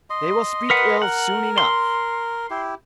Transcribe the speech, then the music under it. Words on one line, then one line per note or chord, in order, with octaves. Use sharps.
They will speak ill soon enough.
D#5 C6
A#4 B4 F#5
A#4 F#5
C6
E4 G4